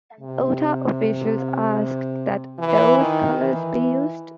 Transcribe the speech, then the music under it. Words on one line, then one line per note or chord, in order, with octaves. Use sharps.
Utah officials asked that those colors be used.
C3
E3
D#3
E3